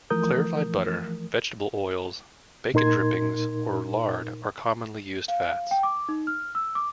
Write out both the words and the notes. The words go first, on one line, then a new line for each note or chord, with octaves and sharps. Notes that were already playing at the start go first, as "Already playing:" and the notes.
Clarified butter, vegetable oils, bacon drippings or lard are commonly used fats.
E3 F3 A3 A#4 D#6 G6
A#2 D#4 A#4 C6 G#6
F5
G5
D6
D#4
F6
E6
D6